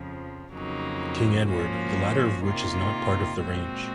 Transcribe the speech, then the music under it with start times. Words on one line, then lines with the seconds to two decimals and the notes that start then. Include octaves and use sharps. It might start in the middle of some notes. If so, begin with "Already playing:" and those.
King Edward, the latter of which is not part of the range.
Already playing: F2 C#3 F3
0.52 F2 C#3 F#3 A#3 D#4
1.48 G#2 F3 A#3 C#4 F#4
2.43 C3 D#3 A#3 F4
3.39 A#2 G#3 C4 F#4